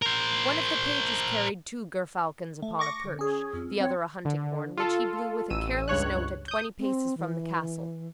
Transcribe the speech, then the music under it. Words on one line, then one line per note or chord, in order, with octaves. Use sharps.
One of the pages carried two gerfalcons upon a perch, the other a hunting-horn, which he blew with a careless note at twenty paces from the castle.
A#4 C5
A3
C#6 D6 A#6 C#7
D3
C#4 G#4
F2
C4 C#5
D3
F4 A4
A1 E6 D#7
C#2 G2 C#5 F#6
D#6 G6
C4
E3